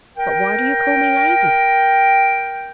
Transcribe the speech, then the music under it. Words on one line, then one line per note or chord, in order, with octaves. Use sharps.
But why do you call me 'Lady'?
A#4 G5